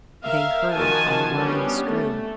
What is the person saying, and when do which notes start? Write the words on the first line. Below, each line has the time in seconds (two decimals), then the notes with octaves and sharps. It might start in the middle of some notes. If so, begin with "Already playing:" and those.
They heard our whirring screw.
0.24 A#4 E5 F5
0.73 D#3 F3 F#4 A#4 G#5 A5
1.36 G3 B3 C#4 D4 G4
1.85 A3